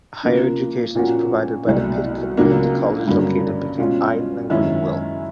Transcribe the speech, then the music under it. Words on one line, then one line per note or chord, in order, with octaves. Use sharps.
Higher education is provided by Pitt Community College, located between Ayden and Greenville.
C#3 F3 A#3
A#2 F3 A#3 C#4 F#4
C2 B2 F#3 A3
C#2 C#3 F#3 A#3 D4
G2 D3 F#3 A#3 C#4
B2 G#3 C#4 F4
F#2 D#3 G#3 C#4 E4